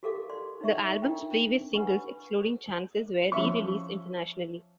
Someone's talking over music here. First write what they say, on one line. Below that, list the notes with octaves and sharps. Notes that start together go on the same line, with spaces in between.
The album's previous singles - excluding "Chances" - were re-released internationally.
F#4 G4 A4 A#4 F5 D6
D5 C6
D#4 C#5 E5 C#6
D4 D#4 F4 A#4 G5
B4 F#5 G#5 B5 C#6
F3 C#4 E5 C#6